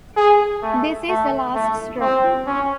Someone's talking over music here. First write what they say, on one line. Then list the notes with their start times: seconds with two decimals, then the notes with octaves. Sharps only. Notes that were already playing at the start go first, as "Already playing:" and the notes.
This is the last straw.
0.16 G#4
0.62 A3
1.08 A3
1.55 A3
2.01 C4
2.47 C#4